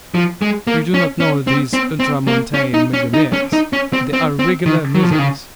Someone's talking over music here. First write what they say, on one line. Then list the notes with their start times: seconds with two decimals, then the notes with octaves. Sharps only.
You do not know these ultramontane millionaires; they are regular misers.
0.15 F3
0.42 G#3
0.67 A#3
0.94 C#4
1.20 C#4
1.47 C4
1.73 C4
2.00 C4
2.27 A#3
2.54 C#4
2.74 D#4
2.94 C#4
3.14 D#4
3.33 C#4
3.53 D#4
3.73 C#4
3.93 C4
4.13 C4
4.39 C4
4.66 D#3
4.95 F#3
5.03 F3
5.11 D#3
5.19 C#3